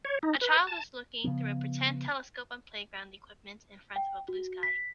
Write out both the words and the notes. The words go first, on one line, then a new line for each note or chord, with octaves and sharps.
A child is looking through a pretend telescope on playground equipment in front of a blue sky.
C#5
D#4
B4
A5
C#3 F3 B3
G5
F#4
B6